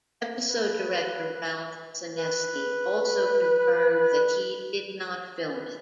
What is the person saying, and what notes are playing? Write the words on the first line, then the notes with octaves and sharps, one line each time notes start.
Episode director Ralph Senesky also confirmed that he did not film it.
B4
B4
B4